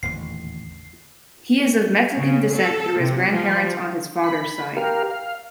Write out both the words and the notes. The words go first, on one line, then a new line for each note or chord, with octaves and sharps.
He is of Mexican descent through his grandparents on his father's side.
D#1 A1 E2 D3 C7
C#3
A4
C3
F3
B5
G4 A#4 F5
F5